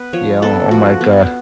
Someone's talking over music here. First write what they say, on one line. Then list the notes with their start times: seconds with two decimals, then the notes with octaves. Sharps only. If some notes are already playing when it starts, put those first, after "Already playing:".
Yeah, oh oh my god.
Already playing: B3 B4
0.13 F3 C#5
0.42 B3 A4
0.71 F3 F#4
1.01 B3